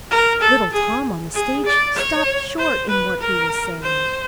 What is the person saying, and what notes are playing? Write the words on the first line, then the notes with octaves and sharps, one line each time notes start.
Little Tom on the stage stopped short in what he was saying.
A#4
A4
G#4
G#4
D5
C#5
C5
B4
A#4
C5